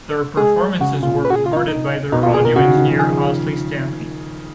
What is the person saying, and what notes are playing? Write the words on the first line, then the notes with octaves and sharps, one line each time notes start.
Their performances were recorded by their audio engineer Owsley Stanley.
G#3 G#4
C#3 F#4
A#2 F4
B4
F#4
G#4
F4
D#4
F4
D#4
B2 D#4
F4
A#2
G#4
B2 A#4
C#3 F#4
D#3
D#3
F3
G#4